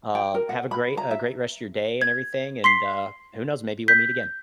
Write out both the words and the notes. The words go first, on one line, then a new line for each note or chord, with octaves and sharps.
Um, have a great, uh, great rest of your day and everything, and, uh, who knows? Maybe we'll meet again.
G5
A#4
F#5
B5
A#5
E5
G#6
C6 B6 C7
G6 B6